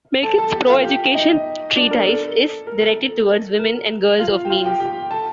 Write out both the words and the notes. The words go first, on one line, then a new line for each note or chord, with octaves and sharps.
Makin's pro-education treatise is directed towards women and girls of means.
A4 A5
A4 A5
G4 G5
F4 F5
G4 G5
D#4 D#5
D4 D5
A#4
A4
A#4
A4
A#4
F4 F5
G5
F4 F5
G4 G5
G4 G5
A4 A5